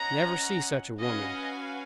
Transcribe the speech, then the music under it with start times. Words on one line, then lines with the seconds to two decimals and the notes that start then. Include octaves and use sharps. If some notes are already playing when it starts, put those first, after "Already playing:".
I never see such a woman.
Already playing: C#4 G#4 D#5 F#5 A#5
0.99 C#4 F#4 B4 D#5 F5 G#5